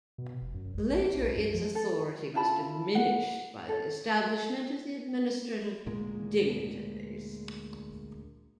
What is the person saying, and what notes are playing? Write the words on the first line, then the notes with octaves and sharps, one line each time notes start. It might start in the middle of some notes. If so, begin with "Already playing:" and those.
Later its authority was diminished by the establishment of administrative dignitaries.
B2
F1
F#2
A1
A#1
B1
F#2
F3
A4
E4 F4 A5 B5
F#5
A4 C#5
D2 A#2 G#3 A#3